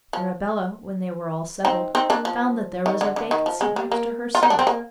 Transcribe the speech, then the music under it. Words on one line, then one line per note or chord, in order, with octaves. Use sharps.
Arabella, when they were all settled, found that there was a vacant seat next herself.
F3
C4 D#4
C4 D#4
A#3 D4
F3
D#3
D3
D3
D#3
F3
G#3
G3
A#3
F4
D#4
D4
C4
A#3